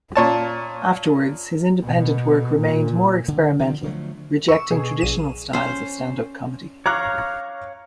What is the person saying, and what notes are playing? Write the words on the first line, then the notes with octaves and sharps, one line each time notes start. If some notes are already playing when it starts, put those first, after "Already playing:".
Afterwards, his independent work remained more experimental, rejecting traditional styles of stand-up comedy.
A#2 C#5 A5
B2
A#2
D3
D3 D#3 F3 C4
D3 F3 F#3 A3
C#6 E6
B2 G#4
A#1 D#7 E7
C#4 C5
C#5 F5 A#5 C#6 D6 F#6